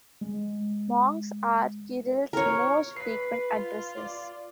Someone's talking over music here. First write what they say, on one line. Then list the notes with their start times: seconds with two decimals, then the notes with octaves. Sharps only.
Monks are Kirill's most frequent addressees.
0.21 G#3
2.33 A#4 C#5
2.96 B4 B6 C7
3.53 F4
3.98 D5